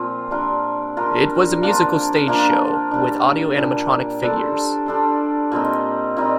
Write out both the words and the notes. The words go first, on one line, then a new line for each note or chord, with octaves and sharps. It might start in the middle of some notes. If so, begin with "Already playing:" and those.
It was a musical stage show, with audio-animatronic figures.
Already playing: A#2 F3 C4 F4
G3 D4 F4 A#4
G3 D4 F4 A#4
F3 A#3 D4 F4
F3 A#3 D4 F4
A#2 G3 D4
A#2 G3 D4
G3 D4 A4 C5
G3 D4 A4 C5
A#2 G3 C4 D#4
A#2 G3 C4 D#4